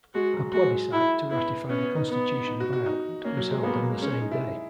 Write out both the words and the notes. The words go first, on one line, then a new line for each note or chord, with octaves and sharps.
A plebiscite to ratify the Constitution of Ireland was held on the same day.
G#3 F#4
F#3
G#3 F#4
E4
B3 E4
B3 C#4
B3
D#4
B3
D#4
F#4
F#4
D#4
A#3 C#4
F#3
G#3
A#3 B3
F#3
G#3
G#3 C#4
G#3
D#4
E4